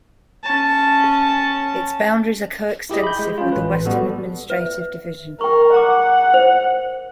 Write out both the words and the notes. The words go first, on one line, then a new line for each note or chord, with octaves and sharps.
Its boundaries are co-extensive with the Western administrative division.
C#4 A5
E4 G4 G#4 D#5
B5 G6
G#3
C#4 F4
A1 B4
G3 B3 F#4 A4
B4 E5
A#4 G5 C#6
F#5 A#5 D6
C5